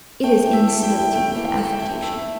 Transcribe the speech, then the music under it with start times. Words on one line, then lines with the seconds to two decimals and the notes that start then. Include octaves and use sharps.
It is incivility with affectation.
0.24 A3 G5
0.46 E3 G5
0.53 E5
0.68 A4
0.83 G5
0.90 E4
0.99 G5
1.13 A3 G5
1.32 E3 G5
1.48 G5
1.58 A4
1.65 G5
1.80 E4 G5
2.02 A3 E5